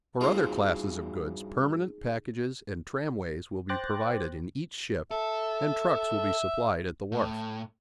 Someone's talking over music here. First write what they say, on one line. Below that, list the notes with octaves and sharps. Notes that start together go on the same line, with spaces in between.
For other classes of goods permanent packages and tramways will be provided in each ship, and trucks will be supplied at the wharf.
G2 C4 D#4 F4 F#4 G#4 F5
C5 G5 D6 F#6 A6 A#6
A4 E5
A2